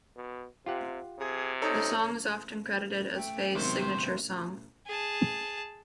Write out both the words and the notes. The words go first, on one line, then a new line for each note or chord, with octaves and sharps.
The song is often credited as Faye's signature song.
B2
C3 F4 G4 F#5
C3 G#4
D#4 A4 C#5 A#5
A3 G5
G#1 C3 F#3 B3 G4 C5 C6
G#4 A5